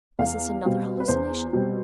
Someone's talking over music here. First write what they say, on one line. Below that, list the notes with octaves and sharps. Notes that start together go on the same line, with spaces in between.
Was this another hallucination?
E2 F5
B2 G3 C4
B4
E2 C5
B2 G3 C4